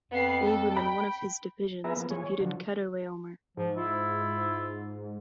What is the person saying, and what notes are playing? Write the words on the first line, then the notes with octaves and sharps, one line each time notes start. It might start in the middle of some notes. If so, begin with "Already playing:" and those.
Abram and one of his divisions defeated Chedorlaomer.
F2 B3 F5 C7
A4
G5 B5
B3 E4 G#4 B4 E5 A#5
F3 A#3 B3
E3 F3 G#4 C#5
C#5
D3 F3 F#3
G#2 F3
E4 F4